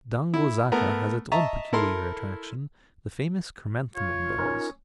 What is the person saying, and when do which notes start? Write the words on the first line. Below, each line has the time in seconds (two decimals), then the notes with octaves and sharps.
Dango Zaka has its own peculiar attraction, the famous chrysanthemum dolls.
0.34 E4
0.72 A3 B3 A#4
1.32 D#5 E5 A5 A#5 C#6
1.73 E4 A4 A#4 C6
3.96 F4 C#5
4.38 C#4 D#4 F4 A#4